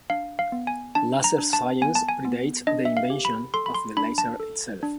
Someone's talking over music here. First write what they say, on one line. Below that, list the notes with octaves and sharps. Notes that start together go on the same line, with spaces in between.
Laser science predates the invention of the laser itself.
D4 F5
F5
B3
G#5
D4 A5
A#5
D4
A5
B3 G#5
A5
G#5
B3
D4 D#5
E5
F5
G4
B5
A4 C6
B5
C6
D4 B5
A5
A4
D4